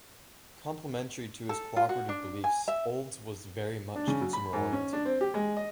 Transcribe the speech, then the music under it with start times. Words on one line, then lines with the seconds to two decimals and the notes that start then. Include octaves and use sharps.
Complementary to his cooperative beliefs, Olds was "very much consumer oriented".
1.49 A4
1.76 F4
1.89 F#4
2.09 D4
2.44 G#5
2.68 E5
3.96 D4
4.07 C#3
4.21 F#3
4.33 B5
4.53 G#2
4.73 C#4
4.93 D4
5.05 C4
5.21 G4
5.34 G#3
5.57 D#5